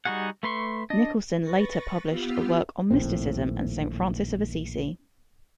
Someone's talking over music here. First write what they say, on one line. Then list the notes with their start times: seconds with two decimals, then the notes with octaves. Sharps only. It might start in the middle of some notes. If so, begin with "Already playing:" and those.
Nicholson later published a work on mysticism and Saint Francis of Assisi.
0.05 G3 D#4 F#4 G#4 F#5
0.43 A3 B4 C6 C#6
0.90 D4 D#5
1.41 B4 C#6 A6 A#6
2.07 B3 F4 G4 E6 F6
2.91 A#1 D#2 A2 C4